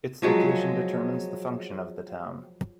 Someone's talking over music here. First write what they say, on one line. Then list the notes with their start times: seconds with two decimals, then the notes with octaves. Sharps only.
Its location determines the function of the town.
0.22 F3 F#3 G#3